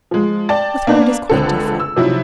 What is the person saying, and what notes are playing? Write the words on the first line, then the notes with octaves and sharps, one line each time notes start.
With her it is quite different.
F3 G#3
D5 G5 A5 A6
A#3 B3 D4
C#2 D3 C4 A4
E6
C3 F3 F#3 D#4 E4